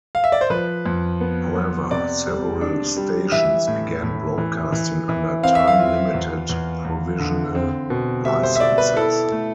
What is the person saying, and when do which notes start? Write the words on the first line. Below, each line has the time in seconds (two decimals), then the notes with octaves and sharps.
However, several stations began broadcasting under time-limited provisional licenses.
0.15 F5
0.24 E5
0.32 D5
0.41 C5
0.50 F3 B4
0.86 F2
1.21 B3
1.55 B3
1.91 C3 D5
2.27 G3
2.61 D4
2.97 G3
3.32 E3 E5
3.67 A2
4.03 A2
4.38 E3
4.72 E3
5.09 E3
5.43 C4 F5
5.55 E5
5.68 F5
5.79 F4
6.14 E2
6.50 E2
6.85 E2
7.19 D3
7.55 C4
7.90 B2
8.25 G3 E5
8.43 C5
8.56 E5
8.60 B2 D5
8.78 B4
8.96 E4 A4
9.32 A3